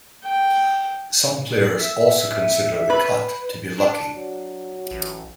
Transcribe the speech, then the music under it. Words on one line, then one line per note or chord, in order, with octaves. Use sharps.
Some players also consider the cut to be lucky.
G5
E5
B4
D4
F#3
A1